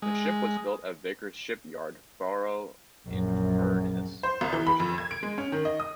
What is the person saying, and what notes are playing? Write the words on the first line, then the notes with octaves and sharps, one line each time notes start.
The ship was built at Vickers shipyard, Barrow-in-Furness, for British Gas.
G#3
A#1 F#2
C5
C2
E3
B5
F2
G#6
D7
G#3
C#4
D#3
D#5
D#6